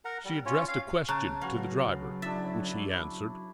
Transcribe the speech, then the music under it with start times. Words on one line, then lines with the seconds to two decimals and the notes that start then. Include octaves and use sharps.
She addressed a question to the driver, which he answered.
0.05 A#4 F#5 A#5
0.25 G3
0.46 C#4 F4 C#5
0.68 F5
1.09 C#3 A5 A#5 C#6 F#6
1.41 C#3 F#3 C#4 F#4 B4 F5
2.22 D4 E4 E5 A6